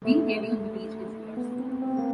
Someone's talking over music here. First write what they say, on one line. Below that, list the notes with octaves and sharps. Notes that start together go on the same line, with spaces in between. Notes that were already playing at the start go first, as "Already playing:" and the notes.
Being heavy on the beach is worse.
A3
B3
C4
C4
A#3